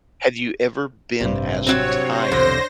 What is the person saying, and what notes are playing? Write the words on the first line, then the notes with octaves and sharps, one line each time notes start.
Have you ever been as tired
A1 G2 C3
F#3 C4 C#5
C5 A#6
B1 E2 D3